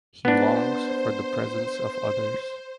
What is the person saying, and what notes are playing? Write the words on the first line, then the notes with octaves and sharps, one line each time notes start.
He longs for the presence of others.
B3 D4 C5